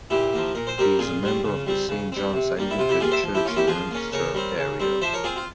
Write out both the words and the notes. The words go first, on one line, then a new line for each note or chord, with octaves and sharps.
He is a member of the Saint John's Anglican church in Ancaster, Ontario.
A#2 E4 G4
F3 A#3
A#2 A#4
C5
G3 C4 G4 A#4
A#2 F4 G#4
G3 C4
C#3
G3 C4
C#3
G3 C4
C3
G3 A#3
E4
C3 F4
E4 G4
G3 A#3 F4 G#4
C5 E5
F3
E4 G4
A#3 C#4 F4
E4 G4
F3 F4 G#4
A#3 C#4
C#3 A#4 C#5
G3 C4
C#3
G3 C4
F3 C5 E5
A#4 C#5
C4 F4 G#4
F4